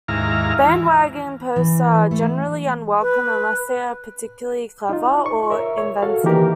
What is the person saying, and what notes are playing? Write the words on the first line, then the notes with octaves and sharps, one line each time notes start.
Bandwagon posts are generally unwelcome, unless they are particularly clever or inventive.
D#2 G#2 E4 F5 A#5 F6
E3
E3
A3
B4
D#4 F4
C#6
A#4 C#5 E5
C#5
F#4 A4 F5
D#3 E3 A#3 E4 G4 A#4